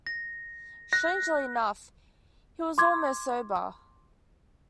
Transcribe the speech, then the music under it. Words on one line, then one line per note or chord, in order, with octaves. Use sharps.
Strangely enough, he was almost sober.
A#6
F#6 A#6
C6 D6 G#6